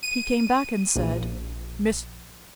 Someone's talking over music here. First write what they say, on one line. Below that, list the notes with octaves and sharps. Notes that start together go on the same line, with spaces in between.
He came back and said, 'Mr.
D#7
A#1